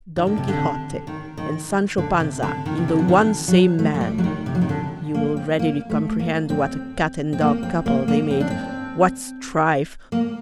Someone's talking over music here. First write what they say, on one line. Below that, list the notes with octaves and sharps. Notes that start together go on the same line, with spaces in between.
Don Quixote and Sancho Panza in the one same man! you will readily comprehend what a cat-and-dog couple they made! what strife!
D#3
D3
C3
D3
D#3
D#3
D3
C3
D3
D#3
C3
D3
F#3
D#3
D3
F#3
A3
A3
G3
F#3
D#3
C3
F#3
D#3
D3
A#3
C4
A#3
A3
A#3
C4
C4
A#3
C4
A#3
A#3
C4
D4
C4
A#3